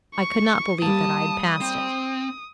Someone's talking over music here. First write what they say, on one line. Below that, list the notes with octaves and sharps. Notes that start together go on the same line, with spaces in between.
I could not believe that I had passed it.
C#6
G3 A#3 A5 D#6
C4